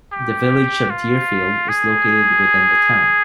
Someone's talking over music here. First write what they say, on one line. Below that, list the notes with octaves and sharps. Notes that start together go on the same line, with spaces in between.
The Village of Deerfield is located within the town.
G4
F4
G#4